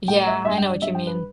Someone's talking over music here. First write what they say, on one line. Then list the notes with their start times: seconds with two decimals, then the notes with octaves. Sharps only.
Yeah, I know what you mean,
0.08 A2 G3 G5
0.27 E5
0.45 G2 G3 E5
0.58 G5
0.70 D5
0.82 G2 G3 E5
0.95 G5
1.07 B4